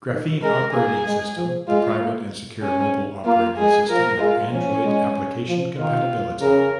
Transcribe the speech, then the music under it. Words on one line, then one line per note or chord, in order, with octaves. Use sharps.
Graphene Operating System, the private and secure mobile operating system with Android application compability.
D#3
G#3 A#4
A#3 G#4
G#3
F3
G#3 F4
A#3
C#4
A#3 F4
G#3 G#4
F3 A#4
G#3 F4
F3 C#4
G#3
F3
D#3 F4
C#3 A#4